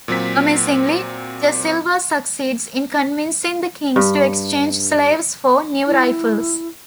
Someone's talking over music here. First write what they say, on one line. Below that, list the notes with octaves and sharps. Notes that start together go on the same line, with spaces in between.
Amazingly, da Silva succeeds in convincing the King to exchange slaves for new rifles.
A#2 F#3 C4 B6
G2
E4